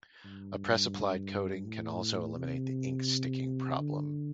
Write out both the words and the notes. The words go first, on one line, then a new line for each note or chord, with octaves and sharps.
A press-applied coating can also eliminate the "ink sticking" problem.
G2
A2
C3
D3